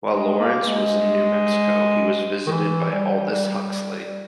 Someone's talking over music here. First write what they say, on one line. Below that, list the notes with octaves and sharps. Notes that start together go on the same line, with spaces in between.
While Lawrence was in New Mexico, he was visited by Aldous Huxley.
G#3
A#3
G#3
D#3
E3
G3
G3